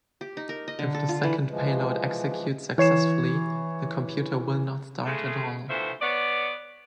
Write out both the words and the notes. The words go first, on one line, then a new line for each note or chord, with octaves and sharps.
If the second payload executes successfully, the computer will not start at all.
G4
D#4
A#4
D#5
D3
A4
F4
E3
E3 F3 G#3
E3 C#5 C7 E7
C#3 G#3 A3
D2 E3 F3 A3 C5 E5
B3 C#5 D5